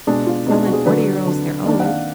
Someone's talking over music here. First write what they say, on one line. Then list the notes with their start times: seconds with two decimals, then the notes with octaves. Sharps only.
telling forty-year-olds they're old.
0.07 B2 G#3 D4 G#4
0.27 F4
0.46 B2 G#3 D4 D#4
0.66 F#4
0.73 G#4
0.86 D3 F#3 D4 B4
1.26 D3 F#3 D4
1.65 D#3 A#3 D4 D5
1.80 F#5
1.85 F5